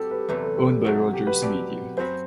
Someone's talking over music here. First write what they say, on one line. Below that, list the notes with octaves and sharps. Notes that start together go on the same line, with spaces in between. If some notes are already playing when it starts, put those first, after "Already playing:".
Owned by Rogers Media.
Already playing: G3 C4 F#4 G4 A4
B4
E2 C3 F#3 A3 B4
A4
G4
C3 F#3 A3 F#4
F#4
G4
B4
B2 F#3 C4 G4 D5
F#2 F#3 C4 F#4 B4 C5